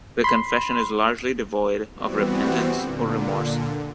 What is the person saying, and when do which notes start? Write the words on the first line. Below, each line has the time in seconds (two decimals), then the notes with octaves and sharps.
The confession is largely devoid of repentance or remorse.
0.24 B5 C6
1.95 E3 G3 B3 C4 F#4
2.74 A#2 D3